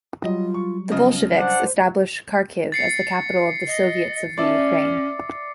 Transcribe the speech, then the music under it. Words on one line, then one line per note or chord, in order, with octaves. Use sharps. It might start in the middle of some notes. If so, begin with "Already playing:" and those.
The Bolsheviks established Kharkiv as the capital of the "Soviets of the Ukraine".
F#3 G3 F4 D#5
C#6
C#3 F3 C#4 D#5
D4 C5 F#5
A6 C7 C#7
D#5
C#4 D5 E5